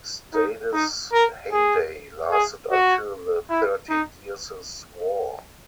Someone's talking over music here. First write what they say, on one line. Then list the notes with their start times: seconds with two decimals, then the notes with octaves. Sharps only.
Stade's heyday lasted until the Thirty Years' War.
0.34 D#4
0.73 D#4
1.13 A#4
1.52 G#4
2.31 G#4
2.71 F#4
3.50 E4
3.90 D#4